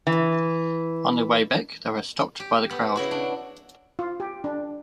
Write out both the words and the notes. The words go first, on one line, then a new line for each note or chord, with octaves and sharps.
On their way back they were stopped by the crowd.
E3
G4
B3
C#3 E4 F#4
D4
F4
G4
D4